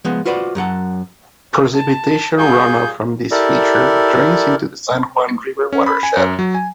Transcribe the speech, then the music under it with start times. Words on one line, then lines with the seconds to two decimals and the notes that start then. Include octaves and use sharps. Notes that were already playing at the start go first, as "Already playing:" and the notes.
Precipitation runoff from this feature drains into the San Juan River watershed.
0.05 F3 G#3 B3
0.25 F4 F#4 B4 C5 D5
0.55 F#2 F#3 F#5 A5
1.74 A5
2.37 G3 F4 G#4 G6
3.31 E4 G4 A4 A#4 D5
5.72 C#4
5.86 B5
6.03 G#5
6.17 F#2
6.39 F#3
6.55 G#5